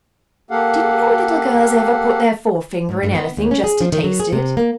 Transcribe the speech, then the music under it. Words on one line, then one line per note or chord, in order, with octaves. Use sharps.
"Didn't your little girls ever put their forefinger in anything just to taste it?"
A#3 G4 A4 F5 F#5
G#2
G2
B3
D#2
C#4
G#4
F3
D#3
F#3
G#4
C3
A#3